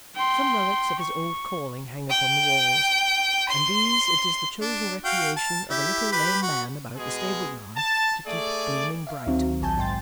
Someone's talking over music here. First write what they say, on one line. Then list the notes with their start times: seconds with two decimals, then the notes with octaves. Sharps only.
Some relics of his old calling hang upon the walls, and these it is the chosen recreation of a little lame man about the stable-yard to keep gleaming bright.
0.15 G5 C6
0.99 C#6
2.10 G5
3.49 C6
4.61 D4
5.05 F#4 F5 G5
5.36 A5
5.70 E4 G4
6.12 G4 B4 B5
6.42 F#4
6.96 B2 G#3 G#4
7.77 A5
8.27 A3 G#4 D5
9.07 E5 F5
9.27 D2 D#3 F#3 C4
9.62 A#1 F#3 G#5 A5 G6
9.78 G#2 G5 C6 A6